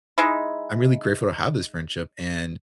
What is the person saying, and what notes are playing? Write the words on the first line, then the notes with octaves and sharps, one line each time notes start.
I'm really grateful to have this friendship, and
G#3 D#4 E4